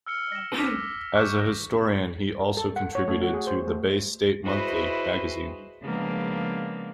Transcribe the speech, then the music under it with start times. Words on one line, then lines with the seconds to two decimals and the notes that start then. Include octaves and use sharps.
As a historian he also contributed to "The Bay State Monthly" magazine.
0.06 E6 F6 C#7 G7
0.32 A#6 E7
0.58 D6 F6 A#6 B6
1.15 C#6 D6 F#6 G6 B6 E7
2.39 A#4
2.57 A4
2.76 F#5
2.95 C#5
3.08 A3
3.21 F#4
3.33 G#4
3.47 C5
3.68 A3
4.45 E4 F#4 G#4 B4 C5 D#5
5.82 C#3 F3 G#3 A#3 B3 D4